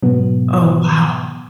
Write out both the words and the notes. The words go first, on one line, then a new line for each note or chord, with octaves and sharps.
Oh, wow.
G#2 B2 F#3 B3